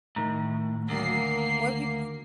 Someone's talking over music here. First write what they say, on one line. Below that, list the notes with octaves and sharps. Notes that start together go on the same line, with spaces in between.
um, more peop
A2 D#3 A#5
D2 A#3 C7